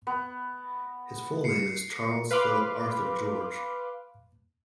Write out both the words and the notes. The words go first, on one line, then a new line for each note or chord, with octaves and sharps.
His full name is Charles Philip Arthur George.
B3
C7 C#7
B4 F5 B5 C6 D6